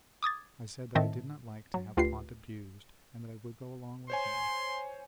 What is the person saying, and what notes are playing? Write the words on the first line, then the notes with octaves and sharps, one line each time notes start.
I said that I did not like to have Pont abused and that I would go along with him.
D6 D#6 G#6 A6
A2 D#3 C4 D#5 E5 A5
F#3
D2 F4 G4 B4 C7
C5 C#5 G#5 C6